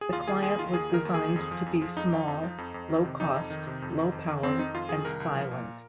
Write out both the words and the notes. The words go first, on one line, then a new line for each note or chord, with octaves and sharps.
The client was designed to be small, low cost, low power, and silent.
G#4
D#2 F4
D#3 G#4
D#2 G#4
D#3 F4
D#2 G#4
D#3 A#4
D#2
G#4
D#3
F2
F3
F2
F3
F2 D#4
F3
F2
F3
F2
F2
D#3
C3
F2 D#4
F2
D#3
C3
F2
D#3
F2
D#3
F2 C4
D#3 D#4
F2 F4
D#3 G#4
C2 A#4
C2
F3
A#2